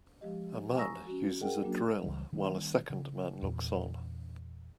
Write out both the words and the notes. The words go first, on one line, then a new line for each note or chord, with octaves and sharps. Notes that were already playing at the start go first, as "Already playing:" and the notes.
A man uses a drill while a second man looks on.
F3 G#3 G4 D#5
G#5 A#5 C#6 D#6 E6 A#6
C#4 F#4
G#4 A#4 D#5 F#5 G5
F#3 A#3 D4 F#4
C#2 C#3 E3 G3
D#3 G3 A#3 D4
C#3
E2 A#2 E3